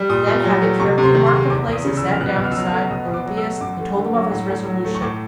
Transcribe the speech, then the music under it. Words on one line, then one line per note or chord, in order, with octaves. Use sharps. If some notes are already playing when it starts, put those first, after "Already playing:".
Then, having carefully marked the place, he sat down beside Alypius and told him of his resolution.
Already playing: G3
A#2 D#6
A#2
F#3
A3
C3 C#6
C3 C6
D#3
C6
G#3
E2 D6
E2
D#6
C#3
E6
F3
F6
B2 F#6
B2
F6
E6
F#3 F6
F6
A3
B2 D#6
B2
D6
F#3
E6
A3
F#2 D6
A3
D3
F#3
A2
A2
F#3
A3
C#6
A2 D6